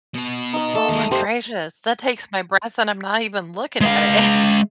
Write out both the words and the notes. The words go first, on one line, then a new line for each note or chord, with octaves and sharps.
Oh my gracious, that takes my breath, and I'm not even looking at it.
B2 F#4
D#4 D#5
A3 A4
D#2 G#3
F2 A#3 G4 C5
G#3 F5